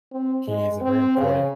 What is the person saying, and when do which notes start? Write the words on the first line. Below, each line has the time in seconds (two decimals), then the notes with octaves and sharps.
he's a very important
0.12 C4
0.47 G#3
0.81 C4
1.17 C#3